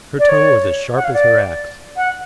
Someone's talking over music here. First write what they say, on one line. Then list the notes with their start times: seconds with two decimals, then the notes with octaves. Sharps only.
Her tongue was as sharp as her axe.
0.19 D5
0.29 C#5
0.96 F#5
1.04 F5
1.13 D5
1.97 F#5